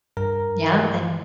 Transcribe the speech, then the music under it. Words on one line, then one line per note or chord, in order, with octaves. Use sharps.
Yeah, and
G2 A#4 A#5